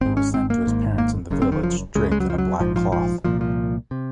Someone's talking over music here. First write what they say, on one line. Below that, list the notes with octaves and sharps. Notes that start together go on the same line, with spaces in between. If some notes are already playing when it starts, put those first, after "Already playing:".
It was sent to his parents in the village draped in a black cloth.
G#1 G#2 C4
C#4
C4
A#3
G#1 G#2
A#3
F#1 F#2 C#3
C4
D#3
F3
C#2 C#3 G#3
G#3
F#3
F3
F#3
A#1 G#2 F3
F3
F3
C2 A#2 F3
F3
C3